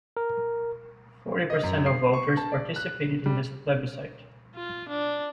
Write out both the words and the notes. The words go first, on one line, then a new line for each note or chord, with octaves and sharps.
Forty percent of voters participated in the plebiscite.
A#4
D#5
F#2
C7
C#6
A5
D5
F#6
G3
F4
D4